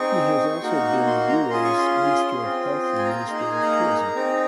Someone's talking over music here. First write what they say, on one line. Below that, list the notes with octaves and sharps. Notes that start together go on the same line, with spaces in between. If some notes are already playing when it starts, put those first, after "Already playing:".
He has also been Niue's Minister of Health and Minister of Tourism.
Already playing: C4 D#4 G#4 C#6
A#3 D#4 F#4
C6
A#5
C#4 F4 G#4 C6
C#6
C6
C4 F4 G#4
C6
G#5
A#5
A#3 D#4 G#4 C6
A#5
G#5
A#5
C4 D#4 G#4